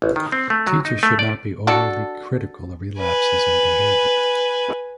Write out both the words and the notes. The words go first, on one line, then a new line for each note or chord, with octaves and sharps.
Teachers should not be overly critical of relapses in behaviour.
A1
D#3
C4
A3
F#3
D#4
A3
D5
D4 F#4 A4
B4 G#5